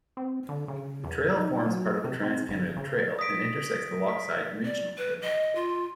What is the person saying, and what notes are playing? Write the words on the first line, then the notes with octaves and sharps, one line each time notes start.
The trail forms part of the Trans-Canada Trail, and intersects the Lochside Regional Trail.
C4
D3
C#3
E2
D#4
F#3
C3
C4
G1
C#3
D#6 A#6 B6 D7
B6
D5
B4
D#5
F4